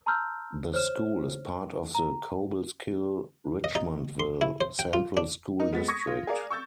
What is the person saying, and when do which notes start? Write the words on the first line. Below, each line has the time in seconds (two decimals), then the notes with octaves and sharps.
The school is part of the Cobleskill-Richmondville Central School District.
0.06 A5 A#5 C6 E6 F6 G6
0.74 C5 C#5 F6 E7
1.95 A#5
3.64 D#5
3.75 D#4
4.20 C6
4.41 E4
4.61 C5
4.79 G5
4.93 F4
5.17 D4
5.59 D#4 A#4
5.72 G#3 B3 A6 B6
5.88 C#6 D#6 G#6 A#6 C#7
6.07 F4
6.27 G#4 A#4 D5 F5
6.50 C#6 E6 G6 A6